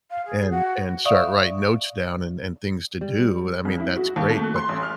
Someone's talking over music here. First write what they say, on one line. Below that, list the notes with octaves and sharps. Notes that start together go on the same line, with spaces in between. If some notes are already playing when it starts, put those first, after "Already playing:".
and and start writing notes down and and things to do. I mean, that's great, but
F5
G#4
F#4
D5 E5 F5 C#6 D#6
G3
F2
E4
F#4
D#2
A3
F#6
C6
A1
F6